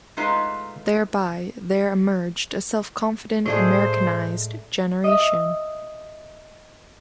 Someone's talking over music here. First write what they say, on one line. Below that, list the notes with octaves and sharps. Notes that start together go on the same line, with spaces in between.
Thereby there emerged a self-confident Americanized generation.
G#3 A3 D#4 F4 B4 A#5
A2 G#3 A3 G#4 C5 D5
D#5 E5